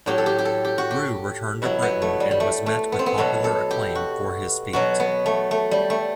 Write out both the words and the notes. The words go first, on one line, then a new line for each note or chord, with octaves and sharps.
Riou returned to Britain and was met with popular acclaim for his feat.
A2 F#3 G4
A4
G4
G4
A4
G4
F#4
G4
B2 F#3 E4
B3
A3
G3
G3
A3
A3
B3
C4
B3
B2 F#3 A4
A4
G4
F#4
B2 F#3 F#4
B3
A3
A3
G3
A3